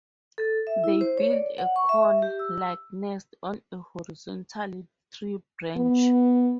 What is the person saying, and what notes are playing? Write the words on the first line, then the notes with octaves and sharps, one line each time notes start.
They build a cone-like nest on a horizontal tree branch.
A4
E5
E4
C5
C#5
D5
F#5
C#6
E5
G4
E6
B3